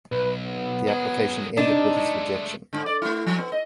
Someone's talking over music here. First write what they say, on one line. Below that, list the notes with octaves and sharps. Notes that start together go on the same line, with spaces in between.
The application ended with his rejection.
B1 B4
B3
F#3 G#4
C3 D4 D#4
G#3 A3
G#2 D3
D5
A3 E4
F3
B3
D#5